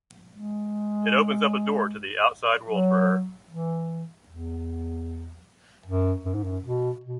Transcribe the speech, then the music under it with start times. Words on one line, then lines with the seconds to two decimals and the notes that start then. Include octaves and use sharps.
It opens up a door to the outside world for her.
0.35 G#3
2.70 F#3
3.49 E3
4.29 E2
5.86 F#2
6.25 F#2
6.35 G#2
6.44 F#2
6.64 B2
7.04 B2